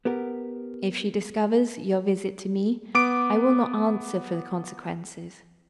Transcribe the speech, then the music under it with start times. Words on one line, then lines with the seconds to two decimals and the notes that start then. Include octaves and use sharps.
If she discovers your visit to me, I will not answer for the consequences.
0.05 B3 G4 A#4
2.95 B3 D6 D7